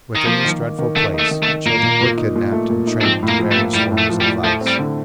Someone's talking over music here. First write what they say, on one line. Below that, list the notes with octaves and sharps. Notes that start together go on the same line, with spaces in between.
Within this dreadful place children were kidnapped and trained to various forms of vice.
D#3
F3 A#3
D#3
D#3
D#3
D#3 A3
D#4
A3
D#3
A3
D#3
A#2 A#3
A#2
A#2
D#4
A#2
A3
A#2
D#4
D4
F3 C4
A2
A#3
F3
A3
A#3
A2 G3
A2
A3
F3
G3
A2
F3 A3
C4
G3
D3